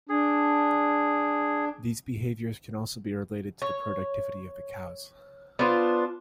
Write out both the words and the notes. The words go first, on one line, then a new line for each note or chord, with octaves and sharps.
These behaviors can also be related to the productivity of the cows.
D4 G#4
C#5
B3 D4 F4 C5